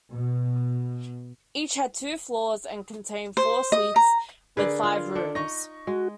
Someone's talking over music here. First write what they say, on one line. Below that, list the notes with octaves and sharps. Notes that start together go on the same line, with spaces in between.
Each had two floors and contained four suites with five rooms.
B2
C5
D#5
A#5
D3 G#4 A#4 B4 D5
F4
D4 A4
D#4 C#6 A#6
G#3 F#4